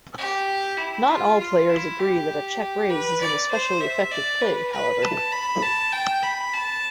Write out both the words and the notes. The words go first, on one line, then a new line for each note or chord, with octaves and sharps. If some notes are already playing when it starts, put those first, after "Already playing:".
Not all players agree that a check-raise is an especially effective play, however.
G4
E4
F4
F4
E4
G4
B4
D5
C5
E5
D5
B4
B4
A5
B5
A5
G5
B5
A5